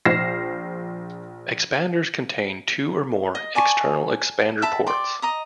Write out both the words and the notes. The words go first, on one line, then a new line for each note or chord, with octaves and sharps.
Expanders contain two or more external expander-ports.
A#1 C5 F6 A#6 C7 E7
D#5
D5 G#5 A5 C#6
E5 A5 B5
D5 G5 C6
D#5 A#5 D#6